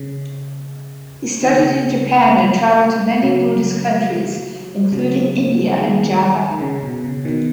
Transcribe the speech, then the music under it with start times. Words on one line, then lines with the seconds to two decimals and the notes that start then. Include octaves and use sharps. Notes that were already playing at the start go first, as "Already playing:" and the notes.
He studied in Japan and traveled to many Buddhist countries including India, and Java.
Already playing: C#3
1.43 D#3
1.54 C#3
3.23 C#3 F#3
4.92 C#3 F#3
5.77 D#3 G#3
6.51 D#3
6.61 C#3
6.83 B2
7.04 C#3
7.25 B2 D#3